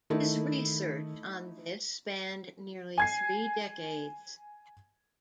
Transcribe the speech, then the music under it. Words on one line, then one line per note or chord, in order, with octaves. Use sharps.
His research on this spanned nearly three decades.
D#3 A3 D#4 E4
G#5 G#6 C7